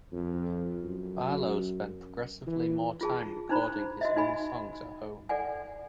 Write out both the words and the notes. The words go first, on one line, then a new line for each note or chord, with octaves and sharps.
Barlow spent progressively more time recording his own songs at home.
F2
F#2
E3
F4 G#4 A5
D4 D#4 C5 A#5 B5
F#4 D#5 E5
D#4 F#4 G#5 B5
A4 D5 F#5 G#5